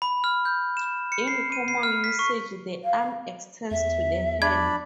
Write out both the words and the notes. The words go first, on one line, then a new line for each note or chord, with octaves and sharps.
In common usage the arm extends to the hand.
B5
F6
G6
E7
C#7
C7
D#7
C7
F6
B6
C#6
F5
E2 E5
D4 D5 B5 G#6